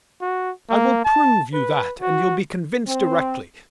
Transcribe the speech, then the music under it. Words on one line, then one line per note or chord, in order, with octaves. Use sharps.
I will prove you that and you'll be convinced directly....
F#4
A#3
A5
B4
F#4
C4